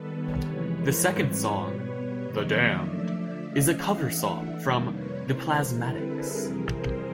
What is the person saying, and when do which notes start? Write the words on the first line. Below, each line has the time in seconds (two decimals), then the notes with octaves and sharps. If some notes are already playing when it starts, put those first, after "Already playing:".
The second song "The Damned" is a cover song from The Plasmatics.
Already playing: D#3 G3 B3 A4 B4
0.16 B4 C#5
0.46 F2 C3 E3 G#3 B4 C#5
0.76 A#4 C5
1.05 G#2 E3 G3 C4 B4 C#5
1.65 B2 G3 B3
2.24 F2 C3 D#3 F#3 A#3 C#5 D#5
2.53 D5 E5
2.83 D3 F3 A3 D5 E5
3.13 D5 E5
3.42 E3 G#3 C#4 D#5 F5
3.72 D#5 F5
4.01 E3 A3 D4 E5 F#5
4.62 F2 C3 D#3 G3 A#3
4.90 B4 C#5
5.20 C3 E3 G#3 A#4 C5
5.79 D3 G3 C4 E4 A4 B4
6.09 G#4 A#4
6.39 F2 C3 E3 G3 C4 G#4 A#4
6.69 A#4 C5